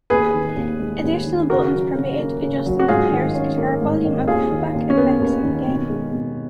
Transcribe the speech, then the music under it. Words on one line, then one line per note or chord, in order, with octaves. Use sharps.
Additional buttons permitted adjusting the player's guitar volume and feedback effects in the game.
D#2 G#4 B4
D#3
D#2
G#3
D#2
D#3
C#3 F#4 A#4
F#3
C#3
A#3
C#3
F#3
F#4
G#2 F4 G#4
D#3
C#4
A#3
G#2
D#3
D#2 F4 G#4
D#3
D#2
C#4
A#3 B3
D#2
D#3
B2
G#3
B2